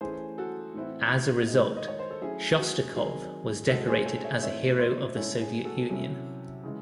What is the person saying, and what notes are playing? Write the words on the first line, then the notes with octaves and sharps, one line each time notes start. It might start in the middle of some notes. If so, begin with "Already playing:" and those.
As a result, Shostakov was decorated as a hero of the Soviet Union.
E3 A3 C#4 G#4 C5
F#4 A4
A2 E3 C4 E4
D#3 G#3 D#4
D#5
C#5
C5
A4
F#3 A3 C#4 E4 G#4
F#4
D#3 F#3 C4 D#4 G#4
A2 G#3 D#4 F#4 A4
G#4 C5
A4 C#5
C#5 E5
E3 A3 C4 D#4 C#5 E5
C5 D#5
A2 G#3 C#4 E4 A4 C#5
G#4
F#4 A4
C3 F#3 C#4 E4
C#3 E3 G#3